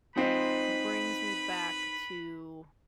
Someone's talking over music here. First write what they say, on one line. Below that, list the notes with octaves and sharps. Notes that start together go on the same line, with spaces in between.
brings me back to
F3 C4 D#4 B4 C5 D#5 B5